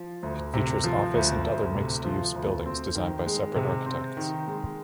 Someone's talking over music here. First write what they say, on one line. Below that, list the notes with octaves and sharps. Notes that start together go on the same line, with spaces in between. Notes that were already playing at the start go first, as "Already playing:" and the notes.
It features office and other mixed-use buildings designed by separate architects.
Already playing: F3
D2
C3
F3
D2
D2
C3
F3
D2
C4
D#3
G#3
C3
C4
D#3
G#3